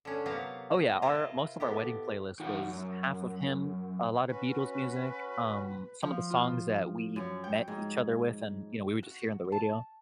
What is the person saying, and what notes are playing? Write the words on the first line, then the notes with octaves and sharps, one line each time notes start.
Oh, yeah, our most of our wedding playlist was half of him, a lot of Beatles music, um, some of the songs that we met each other with, and, you know, we would just hear on the radio,
D3 C#4
C3 F#3 A#3 B3 F5
D#5
E4 F4 A#4 D#5
A2 B3 G4
E3 D#4 F#4 F#5
F#2
C#4 F#4 B4
F3
F4
F#2
G5
G#2
F#4
A5